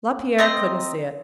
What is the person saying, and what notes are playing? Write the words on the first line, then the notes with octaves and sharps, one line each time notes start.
Lapierre couldn't see it.
C4 D#5 A#5 C6